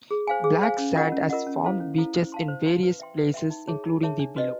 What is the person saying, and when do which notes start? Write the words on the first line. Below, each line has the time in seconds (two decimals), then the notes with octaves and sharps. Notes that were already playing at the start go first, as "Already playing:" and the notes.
Black sand has formed beaches in various places, including the below.
0.11 G#4
0.27 C5 F5 G#5
0.44 G#4
0.61 C5 F5 G#5
0.78 C#4
0.96 F4 A#4 D#5 F#5
1.12 C#4
1.29 F4 A#4 D#5 F#5
1.47 C#4
1.64 E4 A4 C5 F5
1.80 C#4
1.97 E4 A4 C5 F5
2.15 C5
2.32 F5 A5 C6
2.48 C5
2.66 F5 A5 C6
2.83 B4
3.00 E5 G5 C6
3.17 B4
3.34 E5 G5 C6
3.50 D#4
3.68 G#4 C#5 E5 A5
3.85 D#4
4.02 G#4 C#5 E5 A5
4.19 D4
4.36 F#4 B4 D#5